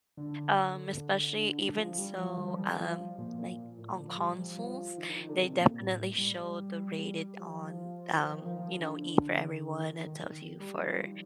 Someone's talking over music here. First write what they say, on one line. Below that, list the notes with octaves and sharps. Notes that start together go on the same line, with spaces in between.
Um, especially even so, um, like, on consoles, they definitely show the rated on, um, you know, E for Everyone. It tells you for
D3
F3
G3
F3
F3
D#3
F3
G3
F3
F3
F3
A#2
A#2
A2
A#2
D3
F3
G3
F3
F3
D#3
D#3
D#3
D3
C3
A#2
A2
G3
F3
F3
D#3
F3
F3
D3
D3
D#3
D#3
G3
F3
D#3